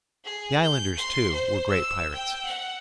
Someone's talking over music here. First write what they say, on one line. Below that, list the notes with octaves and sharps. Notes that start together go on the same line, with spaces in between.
The islanders, too, were great pirates.
G#4
G6
C6
C5
E6
G5
F#5